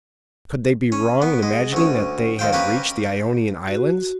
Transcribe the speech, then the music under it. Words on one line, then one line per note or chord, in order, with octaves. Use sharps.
Could they be wrong in imagining that they had reached the Ionian Islands?
C#4
B3
G#3
D2 C#4
D#2 C5 F5 G5
A#3 C#4 G4 B4
F#4